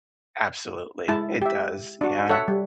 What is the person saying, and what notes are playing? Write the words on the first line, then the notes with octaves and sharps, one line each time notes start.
Absolutely, it does, yeah.
G#3 E4 A5
G4 E5
D4 F#4
A4 C#5 E5 F#5
G3